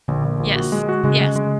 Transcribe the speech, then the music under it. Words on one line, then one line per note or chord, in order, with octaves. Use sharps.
Yes, yes.
A#1 D3
A#1
A#1
F#4
G#3
F#4
C#3 G#3
G#3
G#3